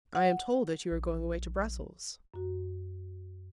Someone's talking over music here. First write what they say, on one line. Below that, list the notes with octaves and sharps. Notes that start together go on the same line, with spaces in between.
"I am told that you are going away to Brussels."
F#5
A#1
F#2 F#4